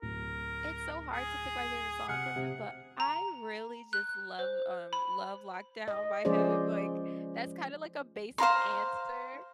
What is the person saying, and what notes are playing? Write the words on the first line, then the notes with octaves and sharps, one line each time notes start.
it's so hard to pick my favorite song from him, but I really just love, um, Love Lockdown by him, like that's kind of like a basic answer.
D1 A#4
G#4
C3 F#5 G#5 F6
C3
A#5
F#6
C5
B5
D#5
F3 G#3 C#4 G#4 C5 D5
C5 F5 A#5 C6